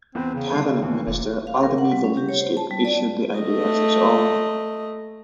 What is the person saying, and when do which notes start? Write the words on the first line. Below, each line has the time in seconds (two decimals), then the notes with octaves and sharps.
Cabinet Minister Artemy Volynsky issued the idea as his own.
0.15 E2 B3 C4 B4 C5
0.35 C#3
0.51 E1 G3 C7
0.82 D#2 E3 B3
1.07 F1 A#2
1.47 F5
1.63 A#4
1.78 F#5
1.92 G3
2.04 C#4
2.17 G4
2.29 C#5
2.41 C5
2.57 A5
2.71 G3
2.85 D5
3.38 A3 D#5